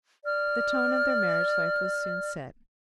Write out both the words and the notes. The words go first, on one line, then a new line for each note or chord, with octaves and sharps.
The tone of their marriage life was soon set.
D5 F6